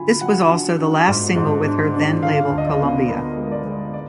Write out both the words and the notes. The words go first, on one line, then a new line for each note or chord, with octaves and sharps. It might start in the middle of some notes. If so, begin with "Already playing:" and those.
This was also the last single with her then label Columbia.
Already playing: D3 F#3 F4 G#5 B5
F#3 F#5
D4
D4
G#2
G#2
D4
D4
D3 F5
D2
D#5
D5
B3
B3 A#4
G#3
D5
G#3
D5